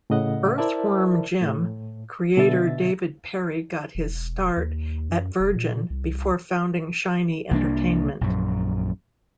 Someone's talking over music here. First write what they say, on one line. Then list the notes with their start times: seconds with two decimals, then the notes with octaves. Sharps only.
"Earthworm Jim" creator David Perry got his start at Virgin before founding Shiny Entertainment.
0.10 A2 C#3 D#5 F#5
0.58 E4 A#4 C5 D5 E5 A5
1.41 A2
2.37 B2 D3 E5 A6
3.95 E1
4.57 D#2
5.10 F#2
5.40 F1
5.56 A#2
5.90 C2
7.51 C2 A#3 D4
8.21 A#1 F#2